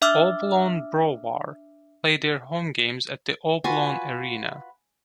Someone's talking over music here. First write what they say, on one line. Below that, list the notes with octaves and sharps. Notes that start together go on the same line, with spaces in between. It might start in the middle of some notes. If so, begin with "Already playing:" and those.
"Obolon Brovar" play their home games at the Obolon Arena.
D4 E5 D6 E6 F6
F4 F#4 B4 G#5